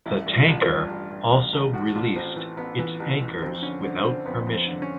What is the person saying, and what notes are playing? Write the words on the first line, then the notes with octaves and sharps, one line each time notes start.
The tanker also released its anchors without permission.
A1 E4
G2
F4
A1
F4
G2
A1
G2
A1
A1
A2 F#4
A1 F4
A1 C4
E3 C4
A1 B3
E3
A1
E3
F2 C4
D3 C#4
D3 C4
D3 C4
F2 B3
F2
C4
D3
C#4